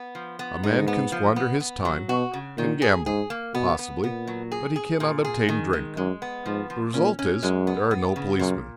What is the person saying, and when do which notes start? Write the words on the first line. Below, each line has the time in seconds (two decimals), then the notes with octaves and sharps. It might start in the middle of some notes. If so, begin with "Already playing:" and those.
A man can squander his time, can gamble, possibly, but he cannot obtain drink; the result is, there are no policemen.
Already playing: B3
0.15 F3
0.39 B3
0.63 G#2 D#4
0.88 B3
1.12 F3
1.36 B3
1.60 B3
1.85 F#3
2.09 B2 F#4
2.33 C#3
2.57 A#2 D#3
2.82 G#4
3.06 G#2 G#4
3.30 A#3
3.54 B2 B3
3.79 B3
4.03 A#2 B3
4.27 F#3
4.52 G#4
4.76 G#4
5.00 A#2
5.25 G#4
5.49 D#3
5.73 G#3
5.97 F#2 G#3
6.22 B3
6.46 G#2 F3
6.70 F3
6.94 A#2 C#4
7.19 C#4
7.43 F#2 G#3
7.67 B3
7.91 B3
8.16 C#3
8.39 F#2 A#2